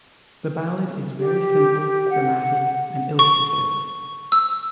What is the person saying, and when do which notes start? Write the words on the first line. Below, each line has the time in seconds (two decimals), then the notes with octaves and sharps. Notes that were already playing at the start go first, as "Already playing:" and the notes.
The ballad is very simple, dramatic and illustrative.
1.18 G4
2.09 F#5
3.19 C#6
4.32 E6